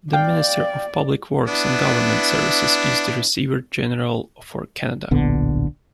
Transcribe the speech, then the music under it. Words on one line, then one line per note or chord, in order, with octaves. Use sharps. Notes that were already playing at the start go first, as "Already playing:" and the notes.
The Minister of Public Works and Government Services is the Receiver General for Canada.
D5 F5 G5
B3 D4 E4
D1 A#1 D3 B3